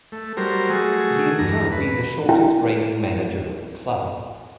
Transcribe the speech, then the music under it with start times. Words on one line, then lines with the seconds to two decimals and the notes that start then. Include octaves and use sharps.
He is currently the shortest-reigning manager of the club.
0.12 A3
0.37 F#3 G3 A#4 C5
0.70 A3 F#4 G#4
1.39 E2 G2 A#5
1.72 B4
2.29 E4 G5